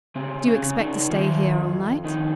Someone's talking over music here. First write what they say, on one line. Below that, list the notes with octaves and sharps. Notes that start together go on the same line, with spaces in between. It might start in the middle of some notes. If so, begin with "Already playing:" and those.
"Do you expect to stay here all night?"
C#3 C4
C#4
C#3
D#4
D#3 F4
F2
D#3 D#4